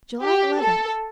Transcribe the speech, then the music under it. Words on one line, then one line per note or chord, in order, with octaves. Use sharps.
July Eleventh.
G4
A4